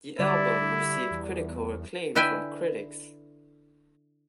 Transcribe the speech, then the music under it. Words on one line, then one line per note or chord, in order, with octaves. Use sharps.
The album received critical acclaim from critics.
D3 G3 E4 D5
E2
D3 E4 B4 E5 G5 G#5